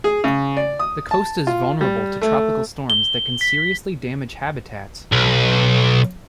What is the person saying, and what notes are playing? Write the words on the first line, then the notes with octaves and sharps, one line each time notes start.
The coast is vulnerable to tropical storms that can seriously damage habitats.
G#4
C#3
D5
D#6
A5
F4
G3
A3
G7
B6
B1